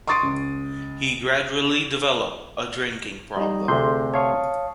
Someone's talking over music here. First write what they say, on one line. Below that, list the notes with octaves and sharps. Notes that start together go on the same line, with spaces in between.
He gradually developed a drinking problem.
C6 C#6 D#6 A6 C7 D7
C#2
G3 D#4 D#6
D2 C3 F4 G#4 A4 C6 G6
C#5 F5 A5 C#6 D#6